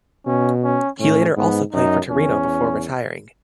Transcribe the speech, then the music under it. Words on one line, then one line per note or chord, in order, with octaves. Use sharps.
He later also played for Torino before retiring.
B2 C#4
C#4
A2 C#4
G#2 B3
F#2 D#4
E2 C#4